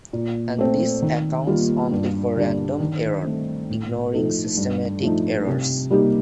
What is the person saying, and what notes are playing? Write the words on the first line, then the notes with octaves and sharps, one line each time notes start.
And this accounts only for random error, ignoring systematic errors.
A#2
A3 C4
D#3
G3 A#3 F4
G2
D3 G3 D4
D#3
A3 C4
A2
F3 A3 D#4 A4
G2
F3 A3 D#4
C3
G3 A#3 D#4 G4